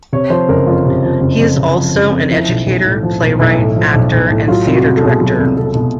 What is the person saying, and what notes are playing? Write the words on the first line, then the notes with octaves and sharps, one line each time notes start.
He is also an educator, playwright, actor and theatre director.
C3 C#5
F3 C5
F#1 A#4
F2 F4
C3
F3
F#1
F2
C3
F3
F#1
F2
F3 E4
B1
B1
A2
F3
B1
B1 E4
A2
F3
B1
B1
A2
F#3 F4
C2
F#4
C2
A4
B2 G#4
F#3
A4
C2
C2 A4
B2